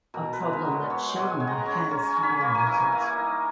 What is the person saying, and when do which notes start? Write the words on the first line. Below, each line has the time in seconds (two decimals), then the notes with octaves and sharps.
A problem that Sharma has highlighted.
0.14 B2 A#4
0.33 B4
0.40 G#3
0.53 A#4
0.65 B3
0.72 C#5
0.90 B3 C#5
1.09 G5
1.16 G#3
1.28 G#5
1.40 G#3
1.47 A#5
1.65 C#4 A#5
1.84 A#5
1.91 C#4
2.03 G#5
2.16 C#4
2.23 B5
2.41 A#3 A#5
2.55 G#5 A#5
2.67 E3
2.80 G#5
2.92 A#3
2.98 A#5
3.17 D#4